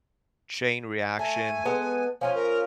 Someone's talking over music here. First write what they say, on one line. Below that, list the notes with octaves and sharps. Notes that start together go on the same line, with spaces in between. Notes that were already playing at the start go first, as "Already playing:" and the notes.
chain reaction.
A3 G#5
G#3 B3 A4
F3 C#4 F4 G#5
A#4